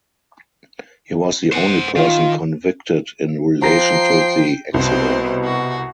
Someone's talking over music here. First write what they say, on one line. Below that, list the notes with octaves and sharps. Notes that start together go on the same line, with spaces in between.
He was the only person convicted in relation to the accident.
C5 F#5
D#3 F4
F3 G5 A#5 A#6 C7
C2 B2 C4 C5
F#4